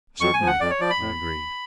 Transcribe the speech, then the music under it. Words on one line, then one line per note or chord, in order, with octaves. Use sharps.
"Certainly!" I agreed.
F2 C#6
G#5
F3
F#5
F2 D5
C#5
F3 D5
B5
A2